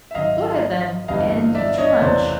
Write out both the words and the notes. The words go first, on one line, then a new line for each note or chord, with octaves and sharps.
"Go ahead, then, and eat your lunch."
E5
G#1 F#2 D#3 D#5 F5
G1 G2 E3 G3 D#5 F5
D5 E5
C#5 D#5
F#1 E2 C3 E3 A3 C5 D5